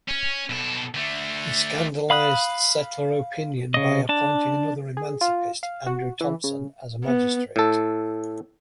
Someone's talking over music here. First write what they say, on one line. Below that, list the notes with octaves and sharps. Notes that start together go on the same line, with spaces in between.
He scandalised settler opinion by appointing another emancipist, Andrew Thompson, as a magistrate.
C#4
B2 A4
D3 A3
F5 B5 D#6 F#6
C#3 D#5
D4 A5
G#4
F4
F5
F#4
E3
C#3
B3
A2 A4